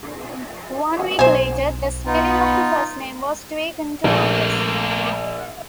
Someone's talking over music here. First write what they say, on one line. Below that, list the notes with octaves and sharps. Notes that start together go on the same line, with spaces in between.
One week later, the spelling of the first name was tweaked to Marcus.
B1 C5 G#5
B3 D#4 F4
A#1 A3 A#3